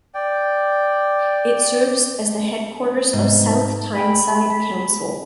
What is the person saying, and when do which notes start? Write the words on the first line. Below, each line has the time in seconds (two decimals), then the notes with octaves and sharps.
It serves as the headquarters of South Tyneside Council.
0.15 D5 G5
3.13 G#2 C3 B3
3.95 G5 G#5 B5